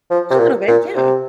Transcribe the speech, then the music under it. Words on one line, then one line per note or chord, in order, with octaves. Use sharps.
A little bit, yeah.
F3
C3
A#2
A#2
C3